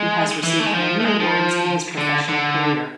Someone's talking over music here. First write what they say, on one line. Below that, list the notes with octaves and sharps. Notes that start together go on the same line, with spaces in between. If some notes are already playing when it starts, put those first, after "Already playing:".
He has received many awards in his professional career.
Already playing: G#3
E3
A3
G#3
F3
A3
G#3
F3
D3
D3